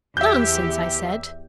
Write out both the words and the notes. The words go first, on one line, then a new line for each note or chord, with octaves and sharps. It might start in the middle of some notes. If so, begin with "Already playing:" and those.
"Nonsense!" I said.
E2 G4 E5 G6